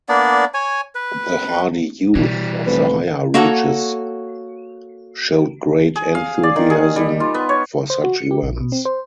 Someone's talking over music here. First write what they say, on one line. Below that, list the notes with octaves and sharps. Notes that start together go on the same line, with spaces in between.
The hardy youth of the higher reaches showed great enthusiasm for such events.
A#3 B3 D4 D5
C#5 G#5
B4
B2 E3 G3
F1 B4
A#3 F#4 A4 C#5 F#5 A#5
G#4
F5
D5
D#3
G#4
G3
F4
B3
C#5
C5
F#4
C#7
G4
A#1
B2
C4
C5